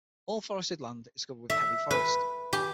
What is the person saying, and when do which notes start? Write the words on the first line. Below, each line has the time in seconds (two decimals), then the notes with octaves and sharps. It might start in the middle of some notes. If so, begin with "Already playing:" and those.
All forested land is covered with heavy forest.
1.50 E5
1.91 B4
2.53 G4